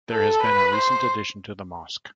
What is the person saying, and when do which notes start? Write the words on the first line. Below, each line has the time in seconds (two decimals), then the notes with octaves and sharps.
There has been a recent addition to the mosque.
0.11 A4
0.43 B4
0.76 C5